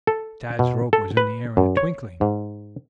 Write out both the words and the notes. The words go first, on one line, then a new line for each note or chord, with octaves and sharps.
Tad's rope was in the air in a twinkling.
A4
B2
A4
B4
F#2
C#5
G#2